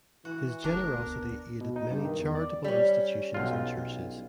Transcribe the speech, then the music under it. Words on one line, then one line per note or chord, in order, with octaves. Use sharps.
His generosity aided many charitable institutions and churches.
E3 F#4
F#1 D2 D4 A#4
D2 B3
B2
D#4
G2
D#3
E2
D5
G3 C#4
B1 F4